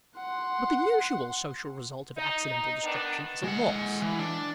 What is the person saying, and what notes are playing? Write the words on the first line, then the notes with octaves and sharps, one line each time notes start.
But the usual social result of accidental destruction is a loss.
F#5 C6
D#4
D#4
D#3 B3 D4
G#3 F#5
E3
D4